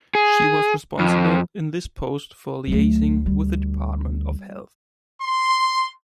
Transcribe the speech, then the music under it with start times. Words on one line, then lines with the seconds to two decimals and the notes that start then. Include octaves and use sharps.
She was responsible, in this post, for liaising with the Department of Health.
0.15 G#4
0.99 F2
2.68 D2 F#3 A3
3.26 G3
5.22 C6